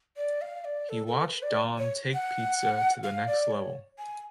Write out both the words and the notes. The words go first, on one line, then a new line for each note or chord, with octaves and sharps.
He watched Dom take pizza to the next level.
D5
F5
D5
A4
A4
B4
D5
C#5
F#5
F5
D5
C#5
G#5